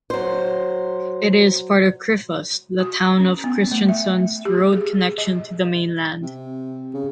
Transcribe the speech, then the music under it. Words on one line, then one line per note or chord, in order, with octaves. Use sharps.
It is part of Krifast, the town of Kristiansund's road connection to the mainland.
F#3 C5
F#4
C#4
B3
A3
E5
G4
G#4
D#5
C3
C#3